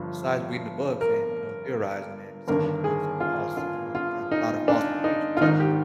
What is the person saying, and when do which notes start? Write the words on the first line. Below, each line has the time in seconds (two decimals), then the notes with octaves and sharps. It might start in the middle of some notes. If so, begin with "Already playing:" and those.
besides reading the books and, you know, theorizing, and some of these books are false, you know, have a lot of false information, so I w
Already playing: G1 G2 F3
1.01 A#4
2.48 G1 G2 D#3 A#4
2.84 G#4
3.20 F4
3.57 F4
3.95 F4
4.31 D#4
4.68 D4
5.04 D#4
5.37 F4
5.41 G#1 G#2 D#3 D#4
5.60 G4